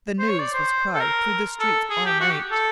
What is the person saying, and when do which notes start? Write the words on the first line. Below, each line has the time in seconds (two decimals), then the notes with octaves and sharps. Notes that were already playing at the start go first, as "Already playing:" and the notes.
The news was cried through the streets all night.
0.19 C5
0.29 C#5
0.39 D5
0.54 C5
0.95 A4
1.00 A#4
1.60 A4
1.90 G#4
2.06 G4
2.21 F#4
2.30 G4
2.51 A4